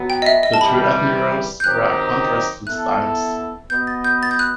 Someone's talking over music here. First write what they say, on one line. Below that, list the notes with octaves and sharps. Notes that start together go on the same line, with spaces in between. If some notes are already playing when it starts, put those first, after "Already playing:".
The two admirals were a contrast in styles.
Already playing: B2 F#3 B3
G5
D#5
E5
D#5
A5
C3 E3 G3 B5
G6
D#3 F#3 C4 D#4 G4 F#6
B3 E4 A4 F#6
B3 F#4 B4 D#5 G6
A6
G6
A6
G6
F#6